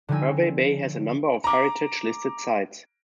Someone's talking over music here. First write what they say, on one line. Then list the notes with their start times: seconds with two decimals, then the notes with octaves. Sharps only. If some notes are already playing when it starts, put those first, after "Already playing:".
Hervey Bay has a number of heritage-listed sites.
0.09 D3 F3 G3 D#4 G#5 E6
1.44 A#5 D6